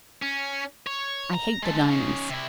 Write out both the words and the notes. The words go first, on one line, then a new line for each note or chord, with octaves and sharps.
I hate the diamonds.
C#4
C#5
A#5
G#3 A4
C#4 D#4
C3 E4